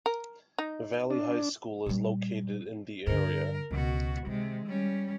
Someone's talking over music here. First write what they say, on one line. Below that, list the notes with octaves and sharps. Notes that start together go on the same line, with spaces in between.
Valley High School is located in the area.
A#4
D#4
D4
A#2 G3
G2 D3 A#4
C#2 B2 F#4
C3 D#3 G#3
G3 C#4